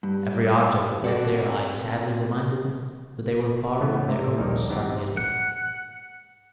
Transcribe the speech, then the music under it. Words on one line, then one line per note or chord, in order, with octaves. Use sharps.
Every object that met their eye sadly reminded them that they were far from their own sunny Italy.
G2
C4 F#4 A4 B4 D5
A2 C#3 E3 A3 B3
C3
A#1 D#2 G3 D#4 A#4
E3 B3 C4 D#4 G4
F#5